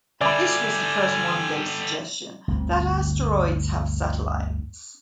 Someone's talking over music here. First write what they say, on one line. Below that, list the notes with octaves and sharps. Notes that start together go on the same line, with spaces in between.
This was the first modern-day suggestion that asteroids have satellites.
D3 G3 D5 E5 G#5 B5
G1 D2 C4